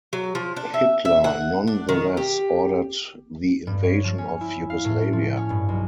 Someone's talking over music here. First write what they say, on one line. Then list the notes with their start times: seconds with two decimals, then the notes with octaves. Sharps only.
Hitler nonetheless ordered the invasion of Yugoslavia.
0.13 F#3
0.35 F3
0.56 D4
0.74 E5
1.05 E5
1.24 F#5
1.67 D4
1.89 D#3
2.17 G4
3.67 G2
3.83 C#5
4.04 F3
4.18 C#4
4.41 E4
4.70 F5
4.85 A2
5.13 F3
5.37 C#4
5.50 G2
5.69 B1